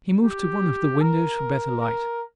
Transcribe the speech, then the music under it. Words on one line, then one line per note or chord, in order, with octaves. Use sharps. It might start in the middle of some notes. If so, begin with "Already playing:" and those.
He moved to one of the windows for better light.
G4
A#4
A#4